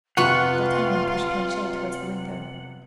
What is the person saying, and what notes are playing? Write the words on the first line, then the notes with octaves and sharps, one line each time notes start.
D'Artagnan pushed Planchet towards the window.
F2 C3 F3 B3 F4 F#5 C#6